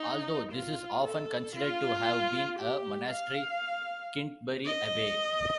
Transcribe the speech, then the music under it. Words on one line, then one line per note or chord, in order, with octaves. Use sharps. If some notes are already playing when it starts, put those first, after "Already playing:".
Although this is often considered to have been a monastery, Kintbury Abbey.
Already playing: D#4
F4
A4
F4
G4
F5
D#5